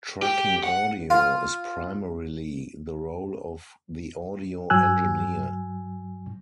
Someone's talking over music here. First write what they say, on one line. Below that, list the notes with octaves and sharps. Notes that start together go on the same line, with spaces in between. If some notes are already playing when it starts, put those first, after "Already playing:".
Tracking audio is primarily the role of the audio engineer.
G4
F#5
F4
G2 F#3 G#5 E6 F#6